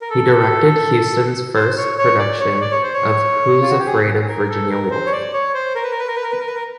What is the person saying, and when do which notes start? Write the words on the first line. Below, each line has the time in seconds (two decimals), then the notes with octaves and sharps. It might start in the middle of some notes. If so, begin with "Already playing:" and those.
He directed Houston's first production of Who's Afraid of Virginia Woolf?
0.02 A#4
0.10 A4
1.56 C5
1.77 C#5
1.98 C#5
2.19 D5
2.40 C#5
2.61 D5
2.71 C#5
2.83 C5
2.94 C#5
3.62 F4
3.70 F#4
3.79 G4
3.87 G#4
4.07 G#4
4.29 A#4
4.49 A4
4.70 A#4
4.91 C5
5.06 C#5
5.12 D5
5.33 C#5
5.54 C5
5.75 A#4
5.83 B4
5.91 A#4
5.99 B4
6.07 A#4
6.15 B4
6.24 A#4
6.31 B4
6.39 A#4
6.47 B4
6.55 A#4